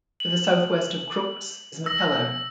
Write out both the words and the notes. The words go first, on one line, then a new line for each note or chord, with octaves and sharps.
To the southwest of Crookes is McKellar.
F#7
E6 A#6